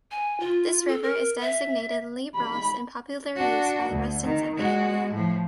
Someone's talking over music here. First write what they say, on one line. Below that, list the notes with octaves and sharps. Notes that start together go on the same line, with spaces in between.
This river is designated "Le Bras" in popular use by residents of the area.
G#5
F4
A4
A#4
E5
B5
D4 F#4
D2
D#3
G#3 F#4
A2 F3